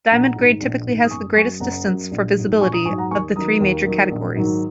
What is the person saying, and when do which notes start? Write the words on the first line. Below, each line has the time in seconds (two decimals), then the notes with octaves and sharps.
Diamond grade typically has the greatest distance for visibility of the three major categories.
0.11 A#1 F#5 A#5
0.36 G#2 D#3
0.61 A#1
0.85 G#2 D#3
1.04 D#6
1.10 F#1 G#5 C#6
1.35 F#2 F#3 G#5 C#6
1.60 F#1 F#5 A#5
1.86 F#2 F#3
2.11 A#1
2.36 G#2 F#3
2.61 A#1 G#5 C#6
2.73 A#5 D#6
2.85 G#2 G#5 C#6
2.89 F#3
2.98 F#5 A#5
3.11 D#2 G#5 C#6
3.36 D#3 F#3 A#5 D#6
3.61 D#2
3.86 D#3 F#3
4.11 A#1
4.36 G#2 D#3 F#3